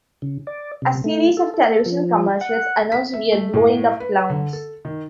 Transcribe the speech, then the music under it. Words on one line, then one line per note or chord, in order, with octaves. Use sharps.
A series of television commercials announced We're blowing up clowns!
C#3
D5
C3
A3
A4
A4
F3
F#5
B6
E5
A3
A2
B4
D3
A4
D#3